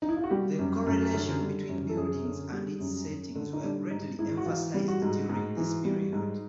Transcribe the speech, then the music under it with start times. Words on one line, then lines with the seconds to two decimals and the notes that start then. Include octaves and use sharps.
The correlation between buildings and its settings were greatly emphasized during this period.
0.02 D#4
0.09 E4
0.17 F4
0.24 F#4
0.30 G3 G4
0.59 F#2
0.86 F#2
1.14 D3
1.41 G3
1.69 F#2
1.89 A4
1.97 F#2 G#4
2.24 D3
2.52 G3
2.80 F#2
3.08 F#2
3.35 D3
3.53 D#4
3.63 G3 D4
3.91 G#2 D#4
4.19 G#2 E4
4.37 F#4
4.46 E3 F4
4.74 G3
4.88 F#4
5.02 G#2
5.29 G#2
5.57 E3
5.85 G3
6.13 G#2